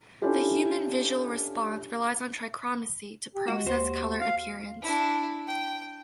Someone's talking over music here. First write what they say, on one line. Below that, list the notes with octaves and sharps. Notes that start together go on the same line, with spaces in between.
The human visual response relies on trichromacy to process color appearance.
C#4 D4 E4 F4 G4 A4
G4
G#3 F#4
D#2 F#4 C5
F5
D4 E4
G5